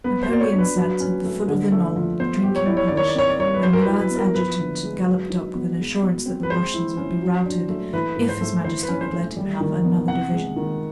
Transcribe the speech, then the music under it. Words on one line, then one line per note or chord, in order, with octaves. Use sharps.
Napoleon sat at the foot of the knoll, drinking punch, when Murat's adjutant galloped up with an assurance that the Russians would be routed if His Majesty would let him have another division.
B3 B4
C5
F#4 D5
C#5
D4
B4
F#3 B4
C#4
A3
D3
A3
F3
B3 C5
G4
C#5
E4 D5
C#5
D#3 D5
C#5
D5
C4 C#5
D5
G3 C#5
B4
F#3 C5
A#4
B4
E4
B4
B3
A#4
F3 B4
D3
G#3
F#3
D#4
B3
G#3
B2
C4
B4
G#3 C5
E4
C#4
F#3
D4
A3
E3 B4
G#2
C5
A3
E3 C5
B4
C#4
C5
A3
G3
D#3
B3
C3 F#5
G#3
D#3